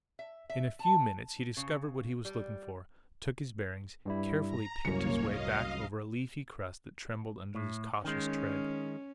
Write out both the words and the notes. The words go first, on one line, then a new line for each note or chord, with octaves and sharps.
In a few minutes he discovered what he was looking for; took his bearings; carefully picked his way back over a leafy crust that trembled under his cautious tread.
E5
E5
A5
C#3
G3
G2 G3 E4
A#5
C2 F#2 A#3 C#5 C#7
D#5 F5
A2
D#3 G#3 C#4